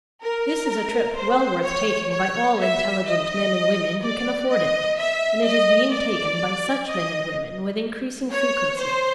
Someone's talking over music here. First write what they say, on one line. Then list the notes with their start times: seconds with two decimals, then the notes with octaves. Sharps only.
This is a trip well worth taking by all intelligent men and women who can afford it; and it is being taken by such men and women with increasing frequency.
0.23 A#4
1.17 C5
1.64 C#5
2.12 C#5
2.60 E5
3.08 D#5
4.03 D5
4.51 D#5
4.99 E5
5.46 D#5
5.93 D5
6.88 D#5
8.31 C#5
8.79 C5